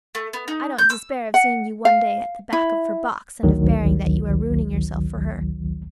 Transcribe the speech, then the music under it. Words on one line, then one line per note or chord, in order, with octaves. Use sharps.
I don't despair of seeing you one day at the back of her box, and of bearing that you are ruining yourself for her.
A3
B3
D#4
G6
E6
F#5
F5
E4
A1 D2 D#3 F#3